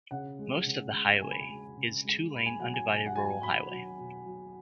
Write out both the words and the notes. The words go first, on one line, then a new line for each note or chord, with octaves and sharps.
Most of the highway is two-lane undivided rural highway.
C#3 F#5
G#3
C#3
G#3
C#3 G#5
B5
G#5
G#3
C#3
G#3
B2 B5
G#5
F#3 F#5
G#5
B2 G#5
F#5
F#3 G#5
B2 B5
F#3
B2
F#3